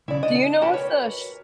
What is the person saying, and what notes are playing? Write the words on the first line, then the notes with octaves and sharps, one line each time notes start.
Do you know if the sh
B1 C#3 E4 D5
D4 D#5
F#4 G4 A#4 B4 A5
C#5